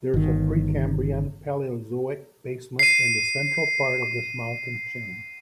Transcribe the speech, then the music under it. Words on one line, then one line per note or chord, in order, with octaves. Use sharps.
There is a Precambrian-Paleozoic basement in the central part of this mountain chain.
G1 D#3
C7 D#7